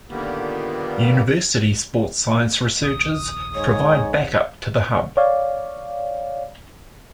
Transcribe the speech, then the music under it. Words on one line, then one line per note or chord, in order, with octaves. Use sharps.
University sports science researchers provide back-up to the hub.
A#2 D3 D#3 G3 A#3 B3
F1 A#1 D#2 D#6
G#2 C#5
C#5 D5 F5